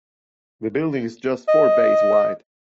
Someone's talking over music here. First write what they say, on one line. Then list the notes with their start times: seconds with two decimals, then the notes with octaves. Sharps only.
The building is just four bays wide.
1.48 D#5